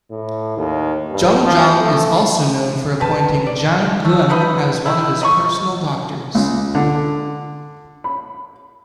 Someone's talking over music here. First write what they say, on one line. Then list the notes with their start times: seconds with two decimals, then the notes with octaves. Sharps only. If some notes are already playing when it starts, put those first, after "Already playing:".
Jungjong is also known for appointing Jang Geum as one of his personal doctors.
0.10 A2
0.57 D#2
1.11 G2
1.45 F3
1.80 A3
3.00 G4 B4 A5
3.47 D5
4.05 A3
4.29 D#4 B4 D#5 B5
4.86 D#3 E4
5.21 D#5 B5 C#6
6.35 C#2
6.75 D3
8.04 B5